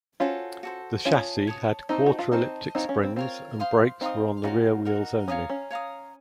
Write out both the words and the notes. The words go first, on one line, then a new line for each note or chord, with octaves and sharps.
The chassis had quarter elliptic springs and brakes were on the rear wheels only.
C#4 F4 F#4 A4 C5
F#4 A4 C5
C#4 F4 C#5 A5 D#6
C#5 A5 D#6
C4 D#4 C5 D#5 A5 C#6
F#4
F4
C4 D#4 C5 D#5 A5 C#6
C4 D#4 F4 A#4 C#5
C#4
C4
C4 F4 A#4 C#5
C5 F5 C6 D#6
C4 D#4 C5 F5 C6 D#6
C#4 D#4 F4 F#4 A#4
D#4 F#4 A#4
C#4 C#5 F5 A#5 D#6
C#4
C#5 F5 A#5 D#6